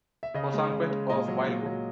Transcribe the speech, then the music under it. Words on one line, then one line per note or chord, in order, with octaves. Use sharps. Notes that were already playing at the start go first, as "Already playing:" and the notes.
Bosanquet of Wildwood.
E5
C#3 D#5
G#3
C#3
G#3
A#2 D#5
F#3
A#2
F#3